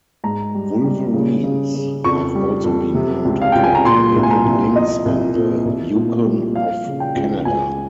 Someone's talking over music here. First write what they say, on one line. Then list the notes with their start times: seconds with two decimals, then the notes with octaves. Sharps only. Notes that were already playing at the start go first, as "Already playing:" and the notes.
Wolverines have also been known to kill Canadian lynx in the Yukon of Canada.
0.24 G#2 A#5
0.55 G3
0.84 G3
1.14 C#3
1.44 C#3
1.75 C#3
2.04 F2 C#6
2.35 G3
2.64 F2
2.94 C3
3.25 C#2
3.42 F5
3.52 C#2 G5
3.64 G#5
3.75 A#5
3.85 A#2 C6
4.16 C2
4.23 G#5
4.31 A#5
4.45 C2
4.76 F3 D#5
5.06 C2
5.35 A#2
5.65 C2
5.95 A#2
6.26 G3
6.55 F3 F5
6.86 C#3
7.00 G5
7.16 C#2
7.45 C#2 G#5